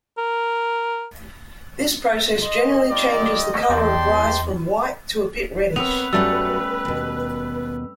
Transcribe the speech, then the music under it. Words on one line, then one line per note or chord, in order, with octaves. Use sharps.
This process generally changes the colour of rice from white to a bit reddish.
A#4
D#5 C6
D#4 F4 G4 D5
E2 G4 G5 A5 C6
B3 C4 A#4 B4 C#5 E6 F7
F#2 F#3 G3 A3 C#4 F#5 E6
D#2 B2